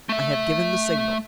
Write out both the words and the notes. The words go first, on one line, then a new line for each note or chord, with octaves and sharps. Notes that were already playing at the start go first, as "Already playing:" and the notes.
"I have given the signal."
A3 E5